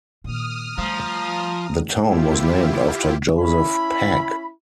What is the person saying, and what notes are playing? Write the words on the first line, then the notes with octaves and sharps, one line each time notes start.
The town was named after Joseph Pack.
A#2 D#3 D#6 F6
F3 G3 A3 A#5
E4 F4 G4
C#4 E4 B5